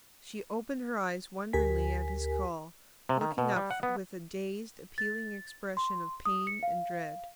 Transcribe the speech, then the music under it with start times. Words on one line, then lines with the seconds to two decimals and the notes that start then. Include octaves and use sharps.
She opened her eyes wonderingly at his call, looking up with a dazed, appealing expression of pain and dread.
1.53 D2 G4 A#4 G#5 B6
3.09 C3
3.21 D#3
3.38 B2
3.56 G3
3.71 F#5
3.83 B3
4.98 A6
5.77 C6
6.26 D#6
6.47 C#7
6.63 F5